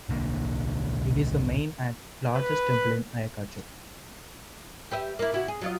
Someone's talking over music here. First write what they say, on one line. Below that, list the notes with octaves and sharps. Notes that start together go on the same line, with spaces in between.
It is the main and largest temple in Ayacucho.
D1 B1 D3 A#3
B4
G4 B4 E5
A#3 E4
C3 E4 F#4
G#4
F#3 F4 D#5